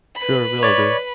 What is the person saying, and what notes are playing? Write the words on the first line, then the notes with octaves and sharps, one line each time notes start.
Sure, we all do!
B4 B5
C#5 D5